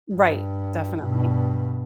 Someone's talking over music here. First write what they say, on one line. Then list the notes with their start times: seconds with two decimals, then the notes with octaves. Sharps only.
Right. Definitely.
0.15 G2
1.03 G2 B2